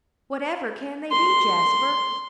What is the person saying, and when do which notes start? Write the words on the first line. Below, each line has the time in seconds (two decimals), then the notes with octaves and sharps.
"Whatever can they be, Jasper?"
1.11 C6